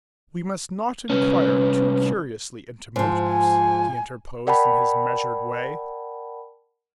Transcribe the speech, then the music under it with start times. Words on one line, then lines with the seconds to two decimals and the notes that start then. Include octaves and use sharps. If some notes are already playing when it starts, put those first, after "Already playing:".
"We must not inquire too curiously into motives," he interposed, in his measured way.
1.10 C2 C#4 B4
2.96 G#2 F3
3.29 G#5
4.47 A#4 D5 F#5 G5 A5 B5